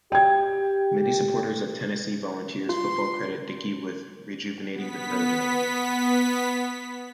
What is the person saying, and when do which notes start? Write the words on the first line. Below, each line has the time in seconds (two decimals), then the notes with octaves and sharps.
Many supporters of Tennessee Volunteers football credit Dickey with rejuvenating the program.
0.12 G4 G5 G#6
2.69 F4 C6
4.74 B3 B6